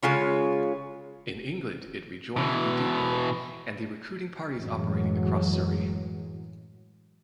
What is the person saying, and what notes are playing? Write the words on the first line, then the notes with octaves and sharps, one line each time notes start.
In England it rejoined the depot and the recruiting parties operating across Surrey.
C#3 G#3 F4 C#5
B2 E3
F#2 A2 E3 F#3 G#3